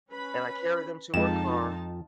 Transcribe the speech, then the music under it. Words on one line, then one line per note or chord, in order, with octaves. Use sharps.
and I carried them to her car
C#4 B4 B5
F2 G#3 D#4 F4 A5 E7